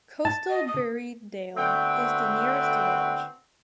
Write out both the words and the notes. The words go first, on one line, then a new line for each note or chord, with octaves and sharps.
Coastal Berriedale is the nearest village.
A5
D#5
D#6
D3 A3 B3 C4 F#4 G5